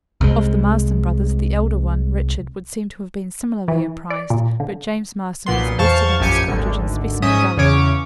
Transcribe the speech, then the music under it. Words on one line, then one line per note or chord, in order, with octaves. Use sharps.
'Of the Marston brothers, the elder one, Richard, would seem to have been similarly apprised, but James Marston was arrested in his cottage in Specimen Gully.
C2 C3 G#3
E3
D5
A#2
D3
B1 A#2 B3 C6
E2 C5 F5 A5 C#6
A#1 F#2 G4 G#5 C#7
G#1 D2 D3
G#2 C#4 D#5 E5 D#6
E2 C#3 C#4 C#5 D6